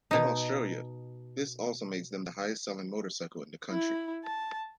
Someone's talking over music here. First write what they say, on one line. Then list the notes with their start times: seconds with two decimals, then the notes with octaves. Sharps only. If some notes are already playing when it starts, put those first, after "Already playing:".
In Australia this also makes them the highest selling motorcycle in the country.
0.11 B2 D#4
3.71 E4
4.24 A5